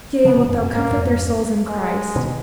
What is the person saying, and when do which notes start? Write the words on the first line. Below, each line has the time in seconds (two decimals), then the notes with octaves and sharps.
Yea, wilt thou comfort their souls in Christ.
0.25 C#3 F3 B3
0.36 B2 D#3
0.49 F#2
0.61 F#2
0.73 G#2 A#3
0.82 A#2
0.91 F2 G#2
1.68 G#3
2.16 B2 D#3